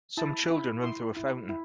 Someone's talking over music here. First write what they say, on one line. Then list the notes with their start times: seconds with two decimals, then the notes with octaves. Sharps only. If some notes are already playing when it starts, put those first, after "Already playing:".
Some children run through a fountain.
0.17 E4 A5
0.50 E4
0.84 E4 C6
1.17 E4
1.49 E4